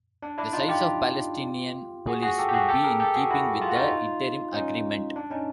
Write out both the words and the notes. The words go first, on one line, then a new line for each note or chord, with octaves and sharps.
The size of Palestinian police would be in keeping with the Interim Agreement.
D4
D4 E4
D#4 F4
F4 G4
F#4 G#4
F#4 G#4
G4 A4
G4
F#4 G#4
G4 A4
G#4 A#4
G4 A4
F#4 G#4
E4 F#4
F4
F#4
D#4 F4
C#4 D#4
D4
C#4 D#4